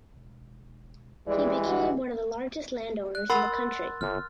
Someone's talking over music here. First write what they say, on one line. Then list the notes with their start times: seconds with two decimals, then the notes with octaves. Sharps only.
He became one of the largest landowners in the country.
0.16 E1
1.27 A#1 E3 G3 G#3 D5
1.66 G1 F#4
3.15 F#6
3.30 A#4 F#5 B5 C6 E6 A6
4.01 G1 F6